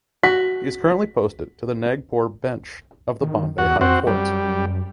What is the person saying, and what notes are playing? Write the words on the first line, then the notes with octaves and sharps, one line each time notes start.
She is currently posted to the Nagpur bench of the Bombay High Court.
F#4 B6
D#3
E2 F#4
F2 C4 F#4
F#2 G3